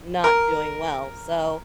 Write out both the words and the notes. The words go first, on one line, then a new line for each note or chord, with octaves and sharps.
not doing well, so
A#4